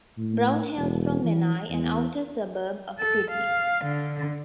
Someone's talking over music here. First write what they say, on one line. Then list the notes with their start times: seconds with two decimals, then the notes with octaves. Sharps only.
Brown hails from Menai, an outer suburb of Sydney.
0.17 A2
0.77 E1
1.24 E3
1.70 E2
2.99 A4
3.31 F5
3.85 D3